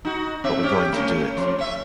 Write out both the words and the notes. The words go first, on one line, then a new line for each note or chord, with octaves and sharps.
But we're going to do it.
D#4 F#4
C4 E5
C#4 G4
A3 C#4
F2
C#4 E5